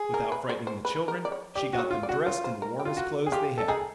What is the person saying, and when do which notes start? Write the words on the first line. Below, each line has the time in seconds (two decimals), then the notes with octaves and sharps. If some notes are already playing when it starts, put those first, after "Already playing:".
Without frightening the children she got them dressed in the warmest clothes they had.
Already playing: G#4
0.14 A#4
0.32 B4
0.49 C5
0.67 C5
0.85 B4
1.08 A#4
1.25 D5
1.32 C#5
1.55 G4 D5
1.73 F#4
1.79 C#5
1.91 F4
2.03 D5
2.09 F#4
2.26 F4 C#5
2.44 C5
2.62 A#4
2.80 G4
2.85 F4
2.97 F#4
3.26 G#4
3.32 F4 G4
3.58 A4
3.68 D#4 G#4